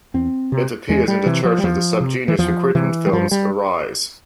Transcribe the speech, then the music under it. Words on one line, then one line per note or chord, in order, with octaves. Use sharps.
It appears in the Church of the SubGenius recruitment film Arise!
E2 C4
C3
E2 G#3
G3
C3 E3
F3
G3
E2 F3
C3
E3
E2 F3
C3 E3
G3
G2 F3
G3